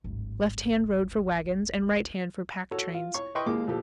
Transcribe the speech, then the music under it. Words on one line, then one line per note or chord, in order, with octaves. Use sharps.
Left-hand road for wagons, and right-hand for pack trains.
D1 G#1
F#4 A4 C#5
F4
C#5 C#6
E4 B4 D#5 G5 C6 C#6
D#2 G#3 A#3 F4 D6
A#1 F3 G4 A4